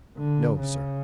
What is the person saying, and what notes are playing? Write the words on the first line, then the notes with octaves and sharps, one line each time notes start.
"No, sir."
D3
C#3